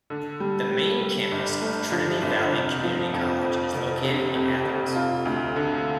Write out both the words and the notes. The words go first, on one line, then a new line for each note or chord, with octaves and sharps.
The main campus of Trinity Valley Community College is located in Athens.
D3
G3
G3
G3
G1
A3
F3
G1
F1
F3
F2
F2
F1
C3
F2
F1
F4
D2
D3